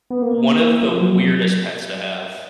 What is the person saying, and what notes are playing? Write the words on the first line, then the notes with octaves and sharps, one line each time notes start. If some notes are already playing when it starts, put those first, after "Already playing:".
one of the weirdest pets to have?
B3
A#3
F3
F#3